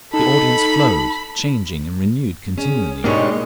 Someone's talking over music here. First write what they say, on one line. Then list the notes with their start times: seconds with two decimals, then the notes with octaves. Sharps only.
The audience flowed, changing and renewed continually.
0.14 D#4 A4 B5
2.57 C#4 G#4
3.04 B2 G#3 A#3 D4 D#4 G4 C#5